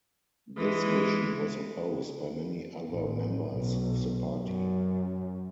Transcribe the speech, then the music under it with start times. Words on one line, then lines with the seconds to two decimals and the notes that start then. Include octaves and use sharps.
This vision was opposed by many other members of the party.
0.57 E3 G#3
2.90 A1
3.50 B1
4.41 F#2